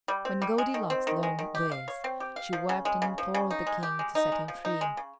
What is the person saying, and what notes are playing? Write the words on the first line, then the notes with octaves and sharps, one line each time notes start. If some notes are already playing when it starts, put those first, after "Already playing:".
When Goldilocks learned this, she wept and implored the King to set him free.
G3
C4
G3
G#3
D#3
C4
D#3
G#3
D#3
G4
F5
C#5
C4
G4
F5
F3
C#3
G#3
C#3
F3
C#3
D#4
G#3
G4
G#3
D#4
G#3
F3
D#4
G#3
C#3